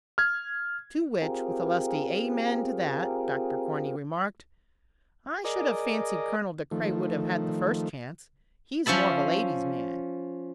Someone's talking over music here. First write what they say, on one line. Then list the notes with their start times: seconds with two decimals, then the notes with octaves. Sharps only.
To which, with a lusty "Amen to that," Dr. Corney remarked: "I should have fancied Colonel De Craye would have had the first chance: he's more of a lady's man."
0.18 F6 G#6
1.22 C4 F4 G4 G#4 A#4
5.44 G#4 A#4 D5 D#5
6.71 D#3 F3 A3
8.86 F3 C#4 E5 A5 B5